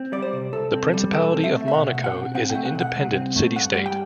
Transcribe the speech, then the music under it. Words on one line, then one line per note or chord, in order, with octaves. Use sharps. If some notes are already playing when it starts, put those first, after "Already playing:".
The Principality of Monaco is an independent city-state.
Already playing: C4
G3 D5
C5
C3
C2 A4
C4
G3
B2 A4
C4
E5
A3
E5
B2 F#5
B2
F#5
C4
C4 F#5
G5
A3
F#5
B2
F#5
C2
C4
A3
G2 F#5
G3
G5